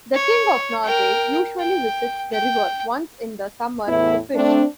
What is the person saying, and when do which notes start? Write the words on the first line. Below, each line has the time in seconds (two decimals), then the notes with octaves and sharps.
The king of Norway usually visits the river once in the summer to fish.
0.15 C#5
0.84 A#4 G5
1.59 G5
2.32 G5
3.87 E2 A2 B3 E4
4.34 A3 C4 D4